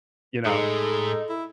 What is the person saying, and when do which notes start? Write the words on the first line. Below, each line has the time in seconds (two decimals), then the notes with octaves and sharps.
you know?
0.45 A2 G#3 D#4 A4
1.29 E4